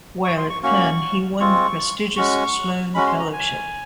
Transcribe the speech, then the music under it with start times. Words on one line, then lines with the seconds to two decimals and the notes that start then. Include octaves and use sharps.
While at Penn, he won the prestigious Sloan Fellowship.
0.24 C#6
0.37 C6
0.50 C#6
0.63 A#3 C#4 F#4 C#6
1.40 G#3 C4 F4 C#6
2.16 G#3 C#4 F#4 C#6
2.94 G#3 C#4 F#4 B5
3.06 C6
3.19 A#5
3.33 G#5